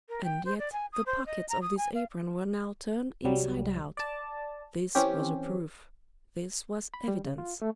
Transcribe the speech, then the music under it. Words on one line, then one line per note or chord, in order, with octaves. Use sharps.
And yet the pockets of this apron were now turned inside out; this was a proof, this was evidence.
A#4
G5
C5
D5
G#5
D#6
C5
D#5
A#5
D#6
G#5
F5
C2 F#3 G3
D5 A5
E3 C4 C#4 G4
B5
G3
C#3
F4
A3